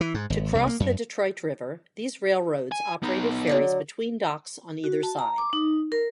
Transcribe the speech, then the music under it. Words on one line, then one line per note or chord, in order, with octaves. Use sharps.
To cross the Detroit River, these railroads operated ferries between docks on either side.
E3
G#2
G#1
C2
A#3
F#2
G#5
B3 D#4
D3 F3 F#3
F#4
A5
A#5
D6
D#4
A#4